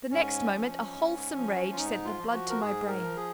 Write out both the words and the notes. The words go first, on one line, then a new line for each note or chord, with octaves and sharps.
The next moment a wholesome rage sent the blood to my brain.
G#2 C#4
F3
G#2
F3
F4
G#2 D#4
F4
F3
F#4
A#4
G#2 G#4
A#4
F3
G#4